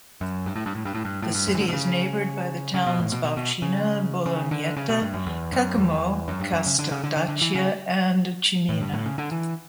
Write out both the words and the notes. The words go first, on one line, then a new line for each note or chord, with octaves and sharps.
The city is neighbored by the towns Baucina, Bolognetta, Caccamo, Casteldaccia and Ciminna.
F#2
G2
A2
G2
A2
G2
A2
G2
A2
G2
F#2
E3
D3
B2
C#3
C#3
B2
A2
B2
B2
B2
C#3
C#3
D3
C#3
B2
G2
F#2
E2
F#2
E2
F#2
G2
F#2
C#3
D3
C#3
D3
D3
D3
E3
C#3
A2
G2
A2
C#3
D3
E3